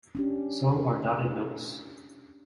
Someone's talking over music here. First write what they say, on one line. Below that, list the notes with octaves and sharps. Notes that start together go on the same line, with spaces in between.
So are dotted notes.
C#4 D4 G4